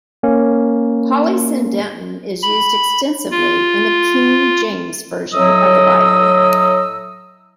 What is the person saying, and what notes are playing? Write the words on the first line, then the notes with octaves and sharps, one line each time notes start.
Polysyndeton is used extensively in the King James Version of the Bible.
A#3 C#4
B5
F4
A2 F#3 D#5 E6